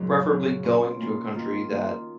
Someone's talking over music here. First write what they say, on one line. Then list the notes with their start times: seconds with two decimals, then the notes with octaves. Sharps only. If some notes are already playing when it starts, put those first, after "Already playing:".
preferably going to a country that
Already playing: F#2 A#2 C#3 F#3 D#4 G#4
0.29 F#2 C#3 F#3
0.63 B2 A#3 C#4 F4
0.99 B2 A#3 C#4 F4
1.34 D#3 A#3 F4
1.70 D#3 A#3 F4